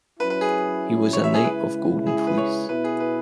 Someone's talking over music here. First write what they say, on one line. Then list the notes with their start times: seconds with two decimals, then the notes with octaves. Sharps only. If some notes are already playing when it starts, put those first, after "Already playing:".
He was a Knight of Golden Fleece.
0.20 F#3 C#4 E4 B4
0.30 B4
0.41 G#4
1.13 C#5
1.24 E5
1.34 G#4
1.44 C#3 G#3 E4 B4
2.07 G#4
2.17 G#4
2.27 B4
2.38 C#5
2.69 B2 B3 E4 B4
2.84 G#4
3.00 B4